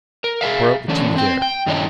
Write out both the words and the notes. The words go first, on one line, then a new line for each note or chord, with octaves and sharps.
Pour out the tea there.
A#4
G#4 A4 E5 F5
E3 A3 C#4 D4
C4 G5
G5
G2 D#3 C#4 D4 E4 D#5